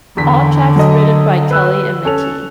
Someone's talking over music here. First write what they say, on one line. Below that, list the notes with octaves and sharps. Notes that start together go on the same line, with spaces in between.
All tracks written by Kelly and McKee.
E2 D3 B6
F#3 A4 D#5
B4 E6 F#6
C#4 A4 F7